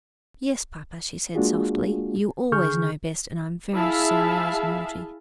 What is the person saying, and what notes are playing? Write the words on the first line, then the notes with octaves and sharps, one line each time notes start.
"Yes, papa," she said softly; "you always know best, and I am very sorry I was naughty."
G#3 A#3 D4 F4 F#4 G#4
D3 G#4 C#6 F6 G6
E4 G#4 E5 F5 A5